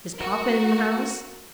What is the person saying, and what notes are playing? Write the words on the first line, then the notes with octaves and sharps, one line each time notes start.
"Is papa in the house?"
F#4 A#4